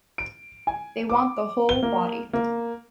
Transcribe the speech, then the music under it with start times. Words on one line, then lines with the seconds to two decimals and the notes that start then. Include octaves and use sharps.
They want the whole body.
0.18 D7
0.67 G#5
1.10 D6
1.69 G7
1.83 A#3
2.33 A#3